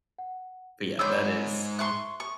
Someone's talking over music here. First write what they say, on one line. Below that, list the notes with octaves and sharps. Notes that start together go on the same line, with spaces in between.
but, yeah, that is
F#5
G#2 C#5 B5 C6 E6 G6
E5 C6 C#6 F#6
C#6